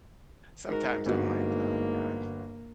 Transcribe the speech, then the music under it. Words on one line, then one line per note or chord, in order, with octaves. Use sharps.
sometimes I'm like, "Oh, God."
G#2 F#4 A#4
G1 A#3 F#4